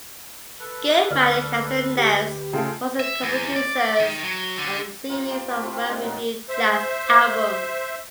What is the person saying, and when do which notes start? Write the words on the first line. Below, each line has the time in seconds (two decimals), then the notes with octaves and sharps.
Goodman and Castro-Neves were also co-producers of a series of well-reviewed jazz albums.
0.59 A4 B4
1.11 D2 D5 F6
1.97 G4 B4
2.53 C#3 A3 F4 A4 G5
3.00 E5
3.22 E2
3.56 D5
4.00 D#3
4.23 F#3
4.58 D3
5.09 C3 A#3 F4
5.30 C5 D5 G5 A5
5.48 A3 G4 D5
5.64 C4 E4 F4
5.88 G#3 D4 D5 F5
6.02 A#2 F#3 D#4
6.49 C5 E5